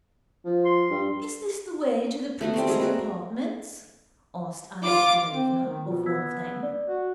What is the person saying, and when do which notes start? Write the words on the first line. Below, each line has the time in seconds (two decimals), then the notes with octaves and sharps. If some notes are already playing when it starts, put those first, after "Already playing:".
"Is this the way to the princesses' apartments?" asked Anna Mikhaylovna of one of them.
0.45 F3
0.65 C6
0.90 G2
2.41 A3 B3 F#4
2.54 G3 C4 C6
2.67 G3 G#3 G#4
2.80 A3 F#4 A#4
4.83 F4 D6
5.32 C4
5.65 D#3
5.85 B2 F4
6.06 B3 E6 G#6 B6
6.63 D5
6.87 F#4